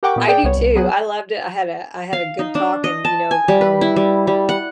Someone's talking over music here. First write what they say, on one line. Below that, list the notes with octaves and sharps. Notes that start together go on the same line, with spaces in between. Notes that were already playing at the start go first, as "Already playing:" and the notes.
I do too. I loved it. I had a I had a good talk and, you know, um,
G4 A#4 F#5 G5 C#6 D6
A#2 B3
G#4 D5 G5
C2 B3 C#5
C2
F#3 B3 G#4 F#5
F5
D#4
D4
D#5
A5
G#5
G3
B4
E4
G3
G3
F#5